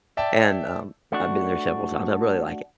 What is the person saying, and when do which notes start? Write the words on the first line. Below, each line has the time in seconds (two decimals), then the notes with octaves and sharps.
and, um, I've been there several times, I really like it.
0.17 D5 E5 G5 A5
1.12 A3 D4 F#4